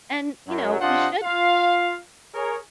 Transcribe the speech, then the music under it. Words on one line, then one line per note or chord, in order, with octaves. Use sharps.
and, you know, you should
F#2 F#3
C3 D4 F4 C5 D#5 F#5
F4 F5
G#4 A#4 C#5